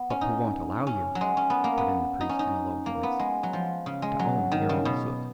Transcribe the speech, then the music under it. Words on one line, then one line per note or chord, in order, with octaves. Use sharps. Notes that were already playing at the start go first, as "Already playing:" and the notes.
"But who won't allow you," put in the priest in a low voice, "to own your own soot."
Already playing: B3
C#4
D#4
C#4
F#3
G#3
C#4
B3
A#3
B3
D#4
C#4
D#4
A#3
B3
G#3
F#3
F3
C#3
G#3
F#3
D#3
C#3
B2